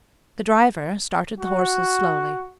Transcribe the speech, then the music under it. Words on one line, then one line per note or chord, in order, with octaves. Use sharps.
The driver started the horses slowly.
F#4